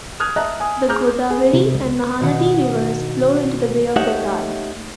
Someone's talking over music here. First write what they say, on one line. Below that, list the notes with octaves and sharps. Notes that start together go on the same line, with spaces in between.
The Godavari and Mahanadi rivers flow into the Bay of Bengal.
D#6 F6 F#6 G#6
D#5 E5 A5 A#5 F#6
G#5 D#6
G#4 A#5 D6 F6 G6
G#4
C3
C#2
B2 D#3 F#5
A3 D#4 G4 C#5 E5 F#5